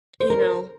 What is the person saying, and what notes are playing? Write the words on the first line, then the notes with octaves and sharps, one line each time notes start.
you know?
C5
A#4